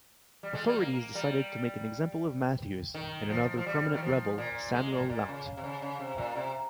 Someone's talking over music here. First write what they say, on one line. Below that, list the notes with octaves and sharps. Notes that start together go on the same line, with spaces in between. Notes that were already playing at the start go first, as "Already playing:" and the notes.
Authorities decided to make an example of Matthews and another prominent rebel, Samuel Lount.
G3
G#3
G3
A#3
G3
D#3
F3
F3
G3
D#3
F3
A#2
G#3
A#2
A#2
C#3
C3
C#3
C#3
C3
A#2
C3